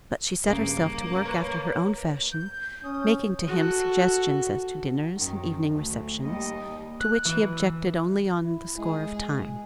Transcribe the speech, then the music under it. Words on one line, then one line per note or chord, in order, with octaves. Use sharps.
But she set herself to work after her own fashion, making to him suggestions as to dinners and evening receptions, to which he objected only on the score of time.
G2 C#3 A#3
A#4 B4 C#5
G6
C#4 D#6
F#4 A4
F#2 D#3
D2 A3
D#2 G3 D#5
F#6
E3
E4
G#3 G#4